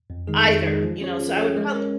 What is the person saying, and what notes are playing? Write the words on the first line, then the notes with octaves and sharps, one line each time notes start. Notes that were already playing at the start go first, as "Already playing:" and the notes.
either, you know, so I would probably
F2
D#3 G#3 D#4 G#4
F2
D#3 G#3 D#4 G#4
F3
C#4 G#4 C#5
F3
C#4 G#4 C#5
G#3
C#4 A#4 C#5